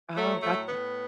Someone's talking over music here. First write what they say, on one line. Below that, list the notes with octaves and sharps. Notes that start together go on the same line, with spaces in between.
Oh, gotcha.
F#3 A3
A2 A3
A2 B3